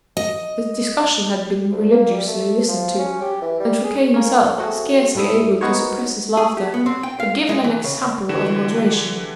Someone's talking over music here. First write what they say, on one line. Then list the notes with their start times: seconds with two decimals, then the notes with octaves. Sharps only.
The discussion had been religiously listened to, and Fouquet himself, scarcely able to suppress his laughter, had given an example of moderation.
0.17 D#5
1.72 D2
1.92 A#3
2.11 G3
2.27 A3
2.68 F3
2.99 C#4
3.22 G4
3.42 E3
3.60 G3
3.84 G#4
4.14 A#3 C#4
4.58 A3 C4 F#4 G#4
5.15 G#2 G3 A3 E4 E5 D#6
5.61 B3 D#4 F#4 A#4 C5 C#5
6.37 G#4
6.57 G4
6.74 B3
6.86 C4
7.03 G5
7.20 F5
7.49 G#3
7.64 E3
7.84 C#3
8.29 D3 E3 F#4 G4 E7